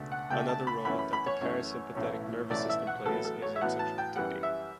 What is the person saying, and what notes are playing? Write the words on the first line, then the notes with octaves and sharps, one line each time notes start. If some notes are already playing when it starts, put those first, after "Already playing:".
Another role that the parasympathetic nervous system plays is in sexual activity.
Already playing: C#2 B2 A3 D4
F#5
C#2 B2 A3 D4 G5
A5
B5
F#2 E3 A3 C#4 B5
B5
B5
C#5
F#2 E3 A3 C#4
B1 A2 E3 A3 C#4
B1 A2 E3 A3 C#4 D5
E5
F#5
A1 A2 F#3 B3 A4
A4
C#5
E5
A1 A2 F#3 B3 F#5
A5
G5
F#2 E3 G3 B3 F#5
E5